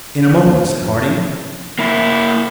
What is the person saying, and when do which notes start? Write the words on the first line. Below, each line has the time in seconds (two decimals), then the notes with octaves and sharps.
"In a moment," said Harding.
1.79 A#3 E4